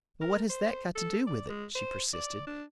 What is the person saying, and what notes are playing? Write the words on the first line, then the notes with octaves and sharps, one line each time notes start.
"But what has that got to do with it?" she persisted.
A#4
C5
A4
D5
G#3
C5
D5
D4